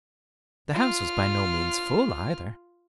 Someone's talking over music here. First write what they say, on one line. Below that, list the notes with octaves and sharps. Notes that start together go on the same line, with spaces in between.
The house was by no means full, either.
F4 F6